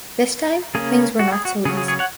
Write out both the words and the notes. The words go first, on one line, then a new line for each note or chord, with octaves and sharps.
This time things were not so easy.
C#3 A#3 C#4 G#4
F#4
G#4
F#4
C#3 F#3 C#4 G#4
G#4
G#4 C#5
C#5 F#5